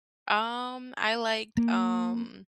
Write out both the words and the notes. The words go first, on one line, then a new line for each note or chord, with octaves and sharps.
Um, I liked, um
A#3